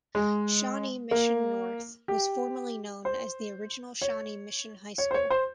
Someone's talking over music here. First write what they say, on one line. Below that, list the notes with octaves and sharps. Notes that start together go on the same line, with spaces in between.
Shawnee Mission North was formerly known as the Original Shawnee Mission High School.
G#3
A#3
G4
C5
C#5
C#5
C5
C#5
C5